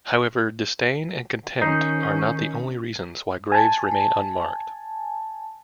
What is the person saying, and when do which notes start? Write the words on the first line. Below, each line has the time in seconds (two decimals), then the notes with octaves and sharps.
However, disdain and contempt are not the only reasons why graves remain unmarked.
1.61 D#3 C#4 D#4 G6 C7
3.52 G#5 A5